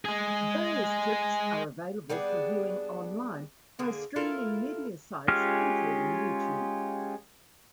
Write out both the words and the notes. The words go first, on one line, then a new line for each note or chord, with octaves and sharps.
Various clips are available for viewing online by streaming media sites, including YouTube.
G#3 G#4
G3 B3 D4 G#4
D3 A#3 G#4
E4 F4 A4 A#4
G#3 C#4 F4 G4 F6